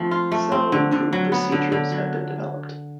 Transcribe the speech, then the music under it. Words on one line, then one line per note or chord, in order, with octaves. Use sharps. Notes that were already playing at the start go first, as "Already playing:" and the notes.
Several improved procedures have been developed.
Already playing: F3 A3 C4
F4
A3
C4
D3
D3
F#3
B3
D3
D3
F#3